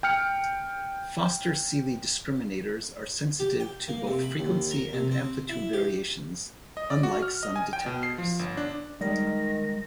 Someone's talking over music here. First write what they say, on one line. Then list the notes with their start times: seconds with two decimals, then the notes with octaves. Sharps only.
Foster-Seeley discriminators are sensitive to both frequency and amplitude variations, unlike some detectors.
0.03 G5 F6 C#7
3.39 G4
3.60 G5
3.88 A#3
4.07 C3
4.23 B5
4.39 D#2
4.71 A#4
4.93 C3
5.11 C4
5.49 E4
5.73 G4
6.77 D#5
6.90 D5
7.03 F#4
7.22 F6
7.43 D#5
7.56 G#5
7.73 G5
7.86 B2
8.03 C7
8.18 F3
8.39 G1
8.57 D4
9.01 D#3 G3 G#3 A#6